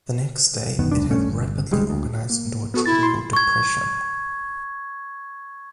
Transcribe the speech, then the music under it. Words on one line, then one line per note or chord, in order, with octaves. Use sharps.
The next day, it had rapidly organized into a tropical depression.
E1 F#2 D#3 B3
F1 D2 G2 D4
A#1 G2 A3 C#4
G1
D1 D2 G3 G#3
D2
A#3
B3 F#4 A4
E4 A6
A#2 C6
C#6 G#6